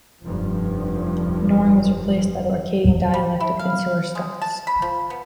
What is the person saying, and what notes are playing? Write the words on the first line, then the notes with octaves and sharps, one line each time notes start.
Norn was replaced by the Orcadian dialect of Insular Scots.
F1 G2 F3
G3
E4
F5
G#3
A5
B5
F3
B3